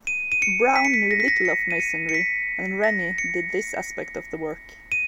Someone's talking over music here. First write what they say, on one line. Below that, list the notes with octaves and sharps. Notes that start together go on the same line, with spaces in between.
Brown knew little of masonry, and Rennie did this aspect of the work.
D#7
D#7
C#7
B6
C#7
B6
A#6
B6
A#6
C#7
D#7
C#7
C#7
B6
A#6
C#7
D#7